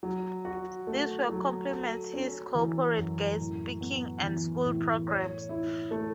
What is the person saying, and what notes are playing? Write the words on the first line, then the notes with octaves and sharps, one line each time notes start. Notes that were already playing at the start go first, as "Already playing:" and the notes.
This work compliments his corporate guest speaking and school programs.
F#3
F#4
A3
F#3
A4
C#4
E3
F#2
A2
B3
E3
A2
C#5
E4
A3